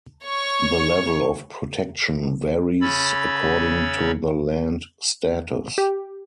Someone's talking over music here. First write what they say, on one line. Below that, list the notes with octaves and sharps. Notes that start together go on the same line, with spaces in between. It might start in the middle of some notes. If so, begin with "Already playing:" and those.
The level of protection varies according to the land status.
C#5 C#6
C#3 C#4 C#5 B5 E6 A6
G4